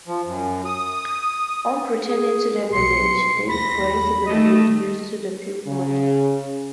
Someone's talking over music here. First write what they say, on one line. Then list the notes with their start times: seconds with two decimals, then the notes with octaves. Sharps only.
On returning to the village, they break the good news to the people.
0.07 F3
0.26 F#2
0.65 D#6
2.08 G#4
2.73 B1 C6 C#7
3.49 D#2 B5 A#6
4.26 D#3 A3 D#5
5.67 C#3